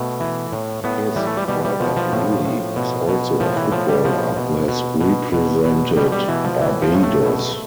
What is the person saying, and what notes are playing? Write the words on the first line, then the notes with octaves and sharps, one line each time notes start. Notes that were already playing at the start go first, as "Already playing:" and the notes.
His brother Louie is also a footballer, who has represented Barbados.
Already playing: B2 A3
E3
A2
A2 B3
E3 G3
A3
G3
B2 G3
G3
B2 F3
F3
A2
A2
B2
B2
A2 F3
E3
A2 F3
G3
B2 F3
B2
B2
B2
B2
B2
B2 G3
G3
B2 E3
F3
A2 E3
F3
A2
A3
B2